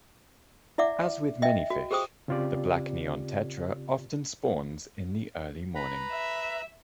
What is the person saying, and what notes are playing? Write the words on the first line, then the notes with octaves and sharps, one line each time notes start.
As with many fish, The black neon tetra often spawns in the early morning.
E4 D5 E5 F#5 D6
D#5 E5 G5
F#4
G4 G#4 C5 G5 D#6
C#3 C4 F4 G4 D5
B4 A#5 B5
E5